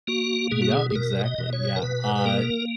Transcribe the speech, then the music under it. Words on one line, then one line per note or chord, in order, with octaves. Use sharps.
Yeah, exactly, yeah, uh
A#3 F#4
B2 G#4
F#4
G#4
G#4
B2 A#4
D#5
B2
C#5
A#4
B2 B4
B4
A#3 A#4